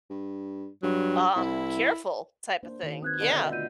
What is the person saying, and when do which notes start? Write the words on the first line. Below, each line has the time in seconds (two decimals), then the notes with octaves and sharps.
um, careful type of thing, yeah,
0.10 G2
0.83 G2 F#3
1.36 C2 E4
2.63 A#3 D4 C5
2.83 D#3 F#4
3.02 C4 B4 D#6 F#6 G#6
3.20 B2 D3 F#4 A4 B4
3.40 E5
3.51 A3 F4 G6 D#7